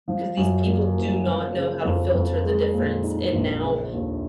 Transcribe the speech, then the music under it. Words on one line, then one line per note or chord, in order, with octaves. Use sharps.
‘cause these people do not know how to filter the difference and now
F3
F#2
A#3
F#1
F3
C#3
F2
F2
G#3
A#2
D#4
A#1
C#3
D#2